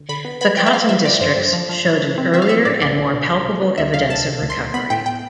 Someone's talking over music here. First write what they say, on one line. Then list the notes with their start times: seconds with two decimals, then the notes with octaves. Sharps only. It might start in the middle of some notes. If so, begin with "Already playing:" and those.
The cotton districts showed an earlier and more palpable evidence of recovery.
Already playing: D2
0.09 D3 B5
0.25 B3
0.41 B3 B5
0.57 F3 G5
0.66 E5
0.73 B3 F5
0.89 F3 E5
1.05 F3 D5
1.20 G2 C5
1.37 G2
1.53 F3
1.69 F3
1.86 A1
2.01 A2
2.18 C4
2.33 C4 E5
2.42 F5
2.49 C4 E5
2.65 A2 D5
2.81 C2 D5
2.97 C2
3.13 B2
3.30 C2
3.46 C2
3.62 B3
3.78 D2 E5
3.94 D2 F5
4.10 D2 A5
4.26 C3
4.42 D2
4.50 C6
4.58 D2
4.74 B3 B5
4.90 A2 G5
5.06 G5